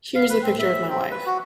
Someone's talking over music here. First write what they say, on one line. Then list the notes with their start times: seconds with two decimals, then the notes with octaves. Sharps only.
Here's the picture of my wife.
0.15 F5
0.29 B4
0.42 C4
0.59 E5
0.89 C4
1.11 B4
1.26 F#4